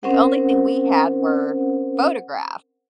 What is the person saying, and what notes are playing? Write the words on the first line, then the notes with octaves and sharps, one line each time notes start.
the only thing we had were photographs,
C4 C#4 A#4 C5 F#5